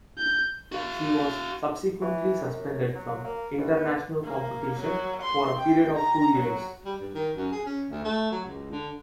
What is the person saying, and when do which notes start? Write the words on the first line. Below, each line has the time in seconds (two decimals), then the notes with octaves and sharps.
She was subsequently suspended from international competition for a period of two years.
0.18 G6
0.72 F#4 F5
2.01 E3
2.44 F#2
2.95 F#3
3.24 A#3
3.58 C2
3.76 B3
4.24 A#3
4.79 F#3
5.22 C6
5.57 G5
5.95 A#5
6.36 F#3
6.85 G3
7.00 G2
7.14 D#3
7.36 F#2
7.52 G#4
7.66 C#4
7.90 D2
8.04 A3
8.31 F#3
8.45 C#2
8.71 D3